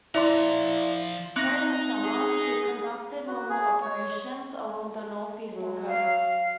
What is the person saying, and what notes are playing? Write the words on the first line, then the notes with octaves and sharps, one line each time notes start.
During the summer, she conducted normal operations along the northeastern coast.
F3 E4 D5 E5 A#5 C6
B3 C4 D#4 F#6 A#6
G#4
F#4
G#4
C#5
F#3
F5